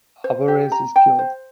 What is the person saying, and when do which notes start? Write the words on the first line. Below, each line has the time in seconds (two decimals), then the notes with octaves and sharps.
Alvarez is killed.
0.24 C5
0.48 G4
0.72 A#5
0.96 G5
1.19 C5